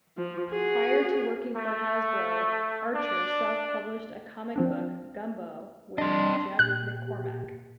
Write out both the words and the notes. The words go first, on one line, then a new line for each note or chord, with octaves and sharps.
Prior to working for Hasbro, Archer self-published a comic book, "Gumbo", with Jeff McCormack.
F3
F#4 G#4
A3
D4 D5
F3 C4 D4
C4 D4 D#5
A#2 G4 F#6